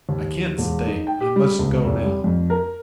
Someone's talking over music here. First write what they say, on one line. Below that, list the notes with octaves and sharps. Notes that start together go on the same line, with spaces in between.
"I can't stay, I must go now...."
D#2
E1
D#4
G5
G4
G3
C#2
F1
G3
F2
A#4